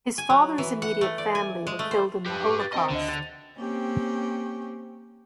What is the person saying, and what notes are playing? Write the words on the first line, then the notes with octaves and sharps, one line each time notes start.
His father's immediate family were killed in the Holocaust.
G#5
F#3
E3
F#5
A3
D5
G#5
G#3
A3
C5
G4 B4
C#6 D6
A6
C4 D#5 G5
D2 D3 D#5
A6 F7
A#3 C4 C#4 G4